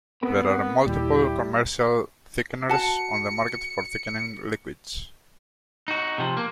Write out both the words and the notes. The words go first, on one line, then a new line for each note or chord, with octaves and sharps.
There are multiple commercial thickeners on the market for thickening liquids.
B3 C4 A#4 B5
D#2 A#2 G3 E4 G4
F#4 A5 C#7
D#4 F#4
C3 F3
A#3